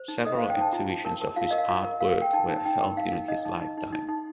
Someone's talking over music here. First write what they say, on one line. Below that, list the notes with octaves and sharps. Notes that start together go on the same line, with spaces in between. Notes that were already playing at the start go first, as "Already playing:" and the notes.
Several exhibitions of his artwork were held during his lifetime.
Already playing: C5
D#4
A4 D#5
C5 F5
G5
D#4 A5
F4 A#5
F4
A#4 A5
A#4
F4 F5
A#4 D#5
F5
F4
A#4
A#4 F5
A#4 G5
D#4 A5
D#4
A5
D#4 G5
A#4
D#4 F5
D#4
D#4 D#5
D#4
D#4
D#4
D#4
D#4